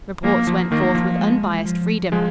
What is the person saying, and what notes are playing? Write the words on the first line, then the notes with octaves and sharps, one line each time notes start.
Reports went forth with unbiased freedom.
F3 A#3
F3
D#3 A#3
F3
G#3
F3
F3 G#3